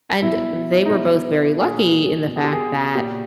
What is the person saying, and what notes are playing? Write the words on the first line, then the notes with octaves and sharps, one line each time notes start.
and they were both very lucky in the fact that
B2 E4
D#4
B2 E4
A#2 G#4
B2
G#4
G4
G#4
A#2 G4